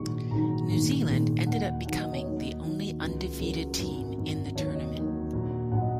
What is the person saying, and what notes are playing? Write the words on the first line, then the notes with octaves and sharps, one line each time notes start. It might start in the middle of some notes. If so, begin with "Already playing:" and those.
New Zealand ended up becoming the only 'undefeated' team in the tournament.
Already playing: A#1 G#2 D#3 F#3 C#6
A#1 G#2 D#3 F#3 A#5
A#1 G#2 D#3
A#1 G#2 D#3
D#2 D#3 F#3 F#5
D#2 D#3 F#3 F#5
D#5
C#5
D#2 D#3 F#3 D#5
D#2 D#3 F#3
C#2 C#3 F#3
C#2 C#3 F#3 A#4
G#1 F#2 F#3 A#4
G#1 F#2 F#3
D#2 D#3 F#3 C#5
D#5
D#2 D#3 F#3
A#1 A#2 F#3
A#1 A#2 F#3 F#5
D#5